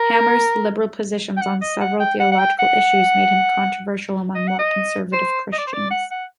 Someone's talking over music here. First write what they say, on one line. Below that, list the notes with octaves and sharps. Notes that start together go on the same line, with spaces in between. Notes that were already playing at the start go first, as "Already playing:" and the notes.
Hammar's liberal positions on several theological issues made him controversial among more conservative Christians.
Already playing: A#4
G5
F#5
D#5
F#5
G5
F#5
F#5
G5
F#5
D#5
F#5
D#5
C5
D#5
D5
C5
D5
F#5
F#5